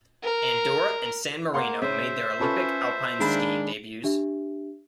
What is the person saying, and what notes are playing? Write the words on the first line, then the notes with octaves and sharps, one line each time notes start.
Andorra and San Marino made their Olympic alpine skiing debuts.
A#4
A#3 F5 F#5 C6
C#3 C5 E5
C#4 F4 A4 B4
D#3 G#3 A#3 D4 B5
D4 G4 E5